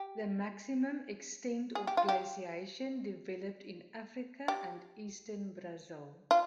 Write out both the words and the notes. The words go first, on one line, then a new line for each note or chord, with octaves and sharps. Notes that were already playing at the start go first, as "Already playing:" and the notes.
The maximum extent of glaciation developed in Africa and eastern Brazil.
Already playing: G4
G#4
G4
F4
G4
G4
F4